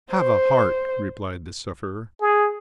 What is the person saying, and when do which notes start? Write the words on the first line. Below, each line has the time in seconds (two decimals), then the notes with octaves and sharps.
"Have a heart," replied the sufferer.
0.12 C5
2.21 G#4